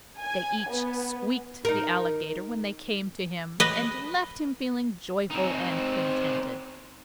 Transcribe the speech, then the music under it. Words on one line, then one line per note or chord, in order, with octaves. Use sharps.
They each squeaked the Alligator when they came to him, and left him feeling joyful and contented.
G#5
B3
D#4 A#4
B4 D#5
C4 D#4